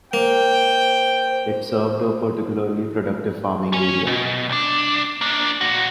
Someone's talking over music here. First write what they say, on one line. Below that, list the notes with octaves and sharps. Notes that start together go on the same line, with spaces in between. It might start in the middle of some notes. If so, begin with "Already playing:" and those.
It served a particularly productive farming area.
A#3 C5 G5
C#4 G#5
B2
C2 D4
A#3 D4
A#2 F#4